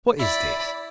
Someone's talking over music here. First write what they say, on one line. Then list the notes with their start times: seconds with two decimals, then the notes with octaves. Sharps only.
What is this?
0.20 E4 D5 B5